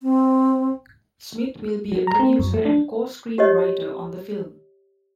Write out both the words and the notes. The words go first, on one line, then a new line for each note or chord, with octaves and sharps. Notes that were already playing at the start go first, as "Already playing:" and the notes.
Smith will be a producer and co-screenwriter on the film.
C4
F#3
A#5
C4
F#2
A3
D4
G4 C#5 D#5